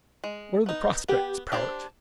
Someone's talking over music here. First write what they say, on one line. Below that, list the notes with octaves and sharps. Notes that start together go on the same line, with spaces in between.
"What are the prospects, Powart?"
G#3
B3 D#4
B3 G4
D4 G4 C5